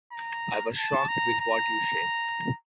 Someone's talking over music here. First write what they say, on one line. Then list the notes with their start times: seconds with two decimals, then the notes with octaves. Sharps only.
I was shocked with what you said.
0.12 A#5
0.77 A5
1.08 A#5
1.40 A#5